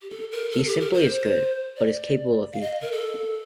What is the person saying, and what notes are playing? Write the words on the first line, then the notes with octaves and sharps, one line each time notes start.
He simply is good, but is capable of evil.
G4
A4
A#4
A4
G4
A#4
C5
D5
F5
D#5
A#4
A4